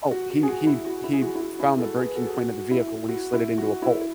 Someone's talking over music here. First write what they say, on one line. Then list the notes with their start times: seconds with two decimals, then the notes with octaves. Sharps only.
Oh, he he he found the breaking point of the vehicle when he slid it into a pole.
0.11 F#4
0.30 F#4
0.43 G#4
0.49 F#4
0.67 E4
0.85 F#4
1.04 E4
1.13 G#4
1.22 F#4
1.35 E4
1.41 F#4
1.59 E4 G#4
1.78 F#4 A4
1.97 G#4 B4
2.15 F#4 A4
2.27 G#4
2.34 F#4
2.71 E4
3.09 F#4
3.33 E4
3.58 F#4
3.82 E4